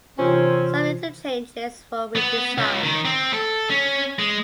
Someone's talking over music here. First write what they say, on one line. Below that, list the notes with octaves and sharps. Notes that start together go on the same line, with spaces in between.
Some interchanges were redesigned.
D#2 C3 E3 C4 C#4 F4 C5
B3
C#2
D#3
C4
A4
C#4
G#3